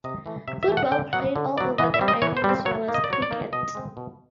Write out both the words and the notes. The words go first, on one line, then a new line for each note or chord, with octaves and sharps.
Football played all over the island as well as cricket.
C3 D#5
E3 A3
C3 E5
E5
E3 A3
F#5
D3 G5
F#3 B3 F#5
D3
F#3 B3 D5
E3 D#5
E5
G3 C4
D#5
E3 C#5
C5
G3
C4
F#3 C#5
A#3 D#4
D#5
D5
F#3 C#5
D5
A#3 D#4
B2 D#5
G#3 C4
B2